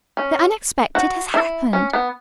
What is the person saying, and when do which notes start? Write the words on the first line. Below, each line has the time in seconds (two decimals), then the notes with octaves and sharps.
"The unexpected has happened!"
0.17 C#4
0.95 F#4
1.34 E4
1.73 C#4
1.93 B3